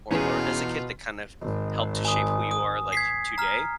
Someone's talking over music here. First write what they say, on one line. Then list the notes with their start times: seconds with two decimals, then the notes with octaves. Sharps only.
or learned as a kid that kind of, helped to shape who you are, like, today?
0.11 E2 B2 C#4 F4 G#4 B4
1.42 G#1
2.05 G#5 D#6
2.51 D#6
2.93 G#6 B6 C7
3.38 A#5 F6